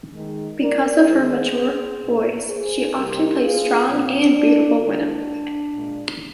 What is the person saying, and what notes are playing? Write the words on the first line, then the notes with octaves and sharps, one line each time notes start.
Because of her mature voice, she often plays strong and beautiful women.
D#3 G#3
A#4 D5
D#3 G#3 G#4 C5
A#2 F3 A#3
G#4 C5
C3 G3 A#3 G4 A#4
F4 G#4
A#2 F3 A#3 C4
D4
D#3 G#3 D4
A#2 G#3